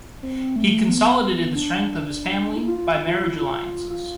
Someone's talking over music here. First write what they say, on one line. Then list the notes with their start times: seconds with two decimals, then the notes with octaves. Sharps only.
He consolidated the strength of his family by marriage alliances.
0.23 C4
0.56 A3
0.73 A3
0.89 B3
1.55 D4
2.56 E4
2.68 F4
2.78 F4
3.07 F4
3.24 E4
3.40 F4
3.90 F4